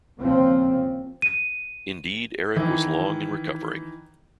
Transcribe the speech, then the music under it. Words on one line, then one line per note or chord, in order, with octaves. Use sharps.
Indeed Erik was long in recovering.
D#2 C#3 F3 C4
D#7
D#3 E3